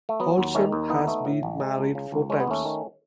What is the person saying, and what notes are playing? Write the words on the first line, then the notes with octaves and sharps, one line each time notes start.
Olson has been married four times.
A3
F#3 B3
D#2
D#3 A3 C#4
D#2
E3 B3 D#4
A3
A2
A1
G#3
C#2
C#3
C#2
G#3 C#4
B3
D#2 A3 C#4
D#3